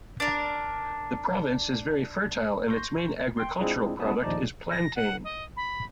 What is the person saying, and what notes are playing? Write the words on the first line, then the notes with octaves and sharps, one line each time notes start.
The province is very fertile and its main agricultural product is plantain.
D4 A#4
C6 C#6 G6 A#6
G5 C6
G#3 C4 D4 E4 F4 G#4
G3 B3 C#4 E4 A5 D#6
A#1 D#2 F3 D#4 D5 A5
A#6
F#5
D#5
B5